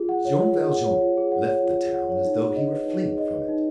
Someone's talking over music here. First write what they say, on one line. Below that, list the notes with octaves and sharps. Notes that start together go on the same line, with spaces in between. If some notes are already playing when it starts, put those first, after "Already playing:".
Jean Valjean left the town as though he were fleeing from it.
Already playing: F4 G#4
F#5
C#5
F4
G#4
F#5
C#5
F4
G#4
F#5
C#5
F4
G#4
F#5
C#5
D#4
G#4
D#5
B4
D#4
G#4
D#5
B4
D#4